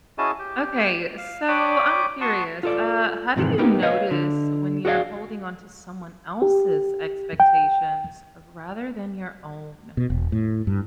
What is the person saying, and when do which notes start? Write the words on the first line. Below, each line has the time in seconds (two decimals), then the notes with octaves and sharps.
Okay. So, I'm curious, uh, how do you notice when you're holding on to someone else's expectations rather than your own?
0.18 C#4 E4 F#4 G#4 D#5 A5
0.39 G4
1.18 F5
1.48 C#5 D5 G5 B5 D6 D#6
2.21 F#4 F#5 A5 C6 C#6 D#6
2.63 F4 A4 D5
3.36 F2 G#2 C3 D#3 E3
3.58 A#3 B3 D#4 G4 A#4 B4
3.82 B4 C#5 D#5 F5
4.11 D3
4.85 F#4 G#4 D5 F5
6.42 G4
7.40 G5
9.97 B2
10.10 E1
10.32 A2
10.67 G2